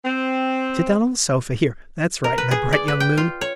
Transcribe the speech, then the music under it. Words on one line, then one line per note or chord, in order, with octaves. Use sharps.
Sit down on the sofa, here, that's right, my bright young moon.
C4
A#4
B4
G#4
D5
B4
G5
F4
C#5